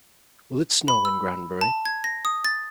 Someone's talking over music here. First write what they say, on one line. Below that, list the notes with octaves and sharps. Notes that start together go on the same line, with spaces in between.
Will it snow in Granbury?
B5
E6
A5
G#6
A#6
D#6
A6